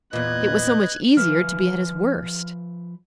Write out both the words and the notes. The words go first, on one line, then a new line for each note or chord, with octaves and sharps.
It was so much easier to be at his worst.
E2 A#2 B4 D#5 F#6 G#6
F3 B4 F6